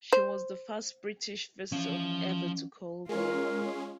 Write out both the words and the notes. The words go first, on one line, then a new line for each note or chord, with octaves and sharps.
She was the first British vessel ever to call there.
C5
E3 F3 C#4 F5
G#3 C#4 F4 A#4